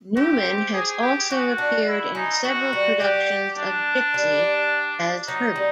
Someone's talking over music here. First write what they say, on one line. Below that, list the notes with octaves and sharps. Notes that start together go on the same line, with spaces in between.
Newman has also appeared in several productions of "Gypsy" as Herbie.
C4 G4
G#4
G4
C#4 F#4
D4
E4
C#4 D#4
B3 F#4
G3
G3 G4
D4
G3
F#3 D#4
G3